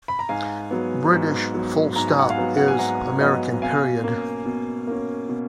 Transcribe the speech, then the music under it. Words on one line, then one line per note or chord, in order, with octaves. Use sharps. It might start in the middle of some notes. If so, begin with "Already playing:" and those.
British full stop is American period.
B5
A#5
G#2 F5 G#5
F#3 B3
G#2
F#3 B3
G#2 A#5
G#5
F#5
F5 G#5
F#3 B3
F#5
G#5
G#2 F#5 A#5
F#3 B3 D#5 F#5
B2 F5 G#5
A#3 C#4
B2
A#3 C#4
B2